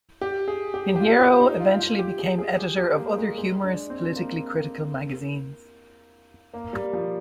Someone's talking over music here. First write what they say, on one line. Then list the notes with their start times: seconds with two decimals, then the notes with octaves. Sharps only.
Pinheiro eventually became editor of other humorous, politically critical magazines.
0.21 G4
0.48 G#4
0.74 G4
0.96 G4
1.00 F4
1.20 G4
1.40 D#4
1.60 F4
1.79 F4
1.99 G4
2.19 G#4
2.38 G#4
2.58 G4
2.78 G4
2.98 A#3
3.18 G#3
3.38 G#3
3.64 D4
3.90 C4
4.16 A#3
6.54 A#3
6.73 G3
6.93 F3